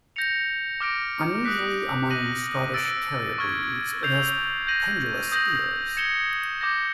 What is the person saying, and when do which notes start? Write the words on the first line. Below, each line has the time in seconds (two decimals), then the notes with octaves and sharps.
Unusually among Scottish terrier breeds, it has pendulous ears.
0.16 G6 A#6 C#7 F7
0.80 D6 F6 A#6 D7
1.45 D#6 F#6 B6
2.09 F#6 A#6 D#7 F#7
2.74 E6 A6 D7 F#7
3.38 C#6 F6 G#6
4.03 E6 G6 C7 F7
4.67 G6 A#6 D#7 F#7
5.32 D#6 G6 A#6 D#7 F#7
5.97 G#6 C#7 E7 G7
6.61 D6 G6 A#6